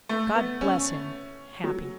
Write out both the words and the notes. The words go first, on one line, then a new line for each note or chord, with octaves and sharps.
God bless him!--happy.
A3
B3
C#4
F#3